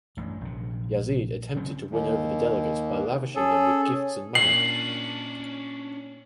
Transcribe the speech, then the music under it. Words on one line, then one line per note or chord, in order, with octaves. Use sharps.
Yazid attempted to win over the delegates by lavishing them with gifts and money.
A1 G2
A#1 C3
C#3 F#3 C4 C#4
D#2
C#4 G#4 A4
A#2 C#4 D4 C7 F#7